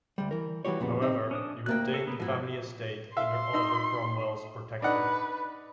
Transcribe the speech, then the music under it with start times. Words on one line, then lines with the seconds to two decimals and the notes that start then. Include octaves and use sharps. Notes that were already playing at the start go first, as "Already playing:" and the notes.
However he retained the family estate under Oliver Cromwell's protectorate.
0.18 D2 G3
0.31 E3 A#4
0.65 E3 G3 F#4 G4 C#5
0.80 F2 A#2 C#3 B3
1.02 C4 D#4
1.31 C#4 D4 D#6
1.66 D2 A#3 G5 F#6
1.94 A4
2.07 A#3 B3
2.20 G#2 F3 B3 E4 F#4
3.17 E5 F5 C6
3.53 D#4 E6
4.82 D4 D#4 B4 F#5